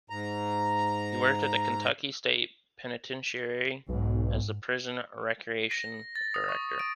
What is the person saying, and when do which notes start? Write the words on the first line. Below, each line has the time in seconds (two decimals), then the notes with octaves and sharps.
He worked at the Kentucky State Penitentiary as the prison recreation director.
0.10 G#2 A#5
3.89 B1 G#2
5.71 A#6
6.16 A6
6.34 D#6
6.49 C#6
6.79 D7